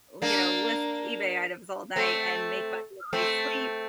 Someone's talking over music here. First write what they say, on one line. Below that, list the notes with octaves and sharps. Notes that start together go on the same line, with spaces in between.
li know, list eBay items all night and make money while I sleep,
A#3 D4
A3 C4
A3 C4